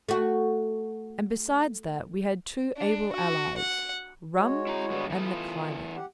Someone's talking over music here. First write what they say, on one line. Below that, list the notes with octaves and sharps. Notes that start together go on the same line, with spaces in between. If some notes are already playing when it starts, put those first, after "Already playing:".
And besides that, we had two able allies--rum and the climate.
A3 F#4
D4
F#4
F#5
G#3 F#4 C#5
E4 A#5
G2 G3 B3
E3 B3 A4
F4
G4 F#5